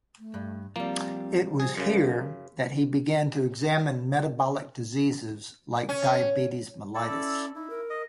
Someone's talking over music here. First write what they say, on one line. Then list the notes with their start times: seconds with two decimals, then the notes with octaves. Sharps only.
It was here that he began to examine metabolic diseases like diabetes mellitus.
0.19 A3
0.34 G2
0.76 F3 G3 A#3 C4
1.60 G#4 C5
1.77 F#2 C#3 A#4
5.89 C#4
6.95 E4 A4 D5
7.09 C#4
7.55 D#4 E4
7.70 A#4
7.90 D#5